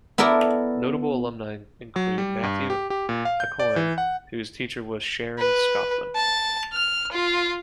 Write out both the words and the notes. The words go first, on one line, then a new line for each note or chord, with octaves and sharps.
Notable alumni include Matthew Aucoin, whose teacher was Sharon Schoffman.
B3 E4 A4 A#4 D5
F#3
G3
G2
G4
G4
A#2
F5
G6
D5
E3
F#5
B4
A5
F6
F4